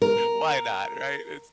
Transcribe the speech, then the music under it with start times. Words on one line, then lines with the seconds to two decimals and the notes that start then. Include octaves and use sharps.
why not, right? It's
0.02 A#4